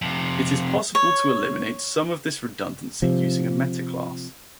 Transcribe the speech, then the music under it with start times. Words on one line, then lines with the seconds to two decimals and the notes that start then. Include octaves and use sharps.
It is possible to eliminate some of this redundancy using a metaclass.
0.02 F2 C3
0.95 C#5
3.02 C3 F3